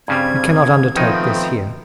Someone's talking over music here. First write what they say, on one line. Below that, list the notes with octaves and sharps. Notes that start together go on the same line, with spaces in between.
We cannot undertake this here.
G2 C#3 G3 C4 G#6
D#3 F3 A3 B3 C4 D#4